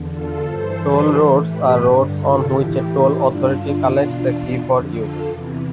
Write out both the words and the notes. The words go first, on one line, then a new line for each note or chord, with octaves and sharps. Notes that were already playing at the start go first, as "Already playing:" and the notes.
Toll roads are roads on which a toll authority collects a fee for use.
Already playing: E2 D3
F4 A4
G2 E3 A4 C5
G4 B4
A2 E3
G4 B4
G2 D3
F4 A4
A2 E3 E4 G4
G2 D3 D4 F4
E2 B2 D4 F4
F2 D3
F4 A4
E2 C3 E3